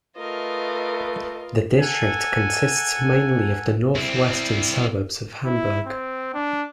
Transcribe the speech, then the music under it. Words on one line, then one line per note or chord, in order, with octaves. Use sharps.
The district consists mainly of the northwestern suburbs of Hamburg.
A3 F4 A#4 B4 D#5
A4 F#5 G#5
C4 E4
E4
C4
D4